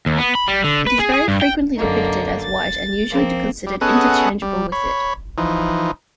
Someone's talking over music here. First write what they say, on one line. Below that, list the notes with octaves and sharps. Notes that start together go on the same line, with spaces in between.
It is very frequently depicted as white and usually considered interchangeable with it.
D#2
B3
B5
G3
D3
B4
G#4
G#4
G2
G5
F#2 D3 A#3 D#4
A6
F3 A#3 C4
G3
B3 C#4 G#4 A4 D#5 F#5
G3
C#5 B5
E3 F3 D#4